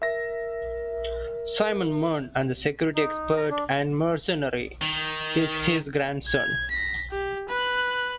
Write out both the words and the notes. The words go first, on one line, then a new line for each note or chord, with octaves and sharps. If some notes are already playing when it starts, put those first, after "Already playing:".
Simon Mann, the security expert and mercenary, is his grandson.
A#4 E5 A#6
D#4
A#5
D4
D#3
G#6
A#6 B6
G4
B4 F#6